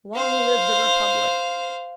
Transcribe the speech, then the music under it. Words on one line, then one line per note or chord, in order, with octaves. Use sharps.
Long live the Republic!
C5 F5